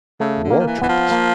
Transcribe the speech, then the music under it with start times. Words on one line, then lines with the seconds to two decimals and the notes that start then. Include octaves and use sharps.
War trumpets!
0.20 C#3 A3
0.44 D3
0.50 A#3
0.59 D#3
0.67 E3
0.81 E3 B3
0.89 F3
1.11 A#3